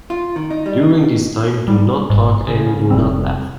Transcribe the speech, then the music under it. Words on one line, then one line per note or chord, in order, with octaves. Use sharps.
During this time do not talk and do not laugh.
F4
D#3
D#4
G3
D#4
G3
G1 G#2
C#3
C#3
F1 C3 G3 C4